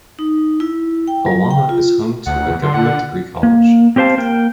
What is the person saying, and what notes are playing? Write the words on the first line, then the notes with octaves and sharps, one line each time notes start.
Pulwama is home to a Government Degree College.
D#4
E4
G5
F#3
G5
F4
D2 F#5
E2
D3 C6
F#5
A#3
C4 G4 C5 F5 A5
A#3 A#4 G5